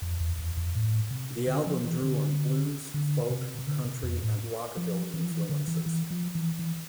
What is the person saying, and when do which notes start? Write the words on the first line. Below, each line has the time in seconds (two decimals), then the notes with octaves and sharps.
The album drew on blues, folk, country and rockabilly influences.
0.02 F2
0.20 E2
0.39 E2
0.57 F2
0.75 A2
1.11 C3
1.47 D3
1.66 F3
1.84 E3
2.02 D3
2.94 D3
3.30 C3
3.59 C3
3.67 D3
3.85 C3
4.03 F2
4.23 A2
4.77 F3
5.14 E3
5.24 F3
5.31 E3
5.49 D3
5.68 E3
5.86 E3
6.11 F3
6.35 E3
6.59 E3